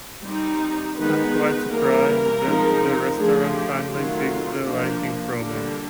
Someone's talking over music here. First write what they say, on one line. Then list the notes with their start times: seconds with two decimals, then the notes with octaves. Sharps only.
I am quite surprised that the restaurant finally fixed the lighting problem.
0.23 G3 C4 D#4
0.96 D#3 G#3 B3 D#4 B4
1.70 E3 G3 A#3 A#4
2.43 F3 G#3 C4 D#4
3.17 F3 A3 D4 G#4
3.54 G4
3.90 D#3 F#3 A3 F4
4.64 F3 A#3 D4
5.37 D3 G3 A#3 D4